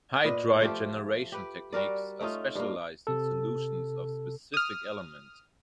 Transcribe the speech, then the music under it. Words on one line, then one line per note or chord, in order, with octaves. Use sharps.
Hydride generation techniques are specialized in solutions of specific elements.
A#2 B4 D#5
F3 A3 F4 G4
G4 B4
G3 F#4 A#4 D5
A3 C#4 D#4 F4
G2 A#3
C3 A4
D#6 F6